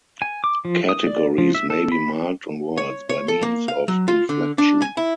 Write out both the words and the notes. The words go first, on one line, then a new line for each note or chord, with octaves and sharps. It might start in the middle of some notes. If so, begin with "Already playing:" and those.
Categories may be marked on words by means of inflection.
G#5
D6
F3
D#6
D5
F3
E5
A4
B5
C#5
C#5
A4
A#3
F5
F#3
F4
D3
D4
G#5
E4